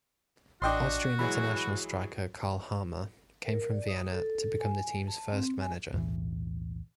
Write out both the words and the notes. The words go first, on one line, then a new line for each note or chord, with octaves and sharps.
Austrian international striker, Karl Harmer, came from Vienna to become the team's first manager.
A1 D4 F#4 D#5 G5 C6 D6
E3 F#3 G#3 B5
A#4
D5
D#6
A4
G#5
A5
C4
G#5
B1 E2 A2 E3